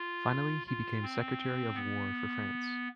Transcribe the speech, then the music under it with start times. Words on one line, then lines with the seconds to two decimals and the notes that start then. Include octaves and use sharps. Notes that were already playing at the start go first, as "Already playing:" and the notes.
Finally he became Secretary of War for France.
Already playing: F4
0.67 F4
1.03 C4
1.75 B3